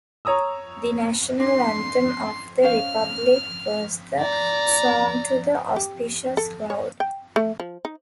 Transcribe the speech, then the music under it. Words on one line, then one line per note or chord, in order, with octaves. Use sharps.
The national anthem of the republic was the "Song to the Auspicious Cloud".
C#5 A#5 D#6 E6
D4 C6
C#4 C5 F5 F6
D5 A#5
G4
A4
C#5
G5
A3
F3
D#4